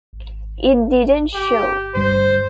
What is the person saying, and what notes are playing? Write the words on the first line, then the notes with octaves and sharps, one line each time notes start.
It didn't show.
G#1
G1 G4
D2 G2 G3 C5